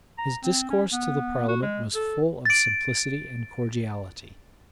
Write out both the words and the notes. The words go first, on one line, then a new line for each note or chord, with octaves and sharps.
His discourse to the parliament was full of simplicity and cordiality.
A#5
C4
C#4
B3
F#4
G#3
A4
A6 D7